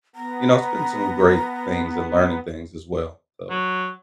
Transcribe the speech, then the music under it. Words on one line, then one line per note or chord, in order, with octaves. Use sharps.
you know, it's been some great things and learning things as well, so
B3 A#5
F#3